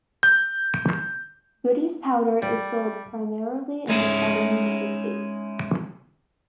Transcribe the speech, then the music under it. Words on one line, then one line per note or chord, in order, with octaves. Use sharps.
Goody's Powder is sold primarily in the southern United States.
G6
G3
G#3 C#4 D#4 E4